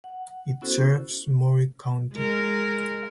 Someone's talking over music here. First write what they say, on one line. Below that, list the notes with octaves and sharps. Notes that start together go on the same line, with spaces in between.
It serves Maury County.
F#5
B3 C#4 E4 F#4 A4 C5
G#3 A#4